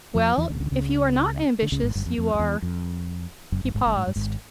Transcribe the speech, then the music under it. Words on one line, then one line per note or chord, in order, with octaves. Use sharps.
"Well, if you are not ambitious, you are--" He paused.
F2 F3
E2 E3
D2 D3
C3
C#2 C#3
D3
C#2 C#3
D3
C#2 C#3
G#1 G#2
G1 G2
F2
F2
F2
E2
F2
F#1 F#2
G1 G2
G#1 G#2
G1 G2
G#2
G2
G#1 G#2